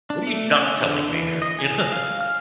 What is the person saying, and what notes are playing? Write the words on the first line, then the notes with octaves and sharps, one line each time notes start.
"What are you not telling me here?" You know?
D4
A3
C#4
D3
E3
D#5
G#5
F5
F6